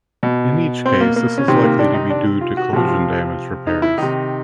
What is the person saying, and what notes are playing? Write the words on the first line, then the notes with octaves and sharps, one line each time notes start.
In each case, this is likely to be due to collision damage repairs.
B2
C4
A#3
A#3
C#4
C3 D#3 C4
A#3
D4
D#4
D4
F4
F#4
C3 F3 F#4
F4
D#4
E4
C3 D#3 D#4